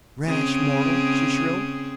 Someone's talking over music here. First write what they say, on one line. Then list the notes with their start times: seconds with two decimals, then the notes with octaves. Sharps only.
"Rash mortal!" she shrilled.
0.25 C#3 C4 G#4